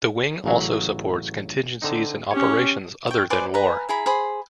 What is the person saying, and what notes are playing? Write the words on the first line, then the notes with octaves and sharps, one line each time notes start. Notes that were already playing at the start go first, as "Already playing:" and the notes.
The wing also supports contingencies and operations other than war.
A1 C#3 F#3
D3 C4 D#4
C#4 G4 C#5
G5 C#6
B4 C5 D5 G#5
B4 G#5 A#5
E4 G#4 A#5 B5
G#4 C5 B5